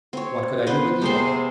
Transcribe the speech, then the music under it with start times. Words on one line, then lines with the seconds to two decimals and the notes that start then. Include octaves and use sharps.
What could I do but yield?
0.13 C4 C#5
0.67 B3 B4 C5
1.02 C3 B3 G#4 C5 C6